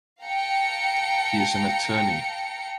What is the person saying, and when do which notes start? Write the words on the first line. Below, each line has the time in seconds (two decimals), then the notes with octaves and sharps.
He is an attorney.
0.22 F5 G5 A5 A#5 C#7